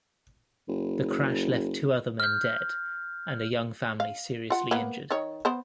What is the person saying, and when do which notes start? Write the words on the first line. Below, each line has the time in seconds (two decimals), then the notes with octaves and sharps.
The crash left two other men dead and a young family seriously injured.
0.68 F#1
2.20 F6 G6
4.00 F5
4.50 F4 F#5
4.71 A#3 B3
5.11 D#3 C#5
5.45 B3 C5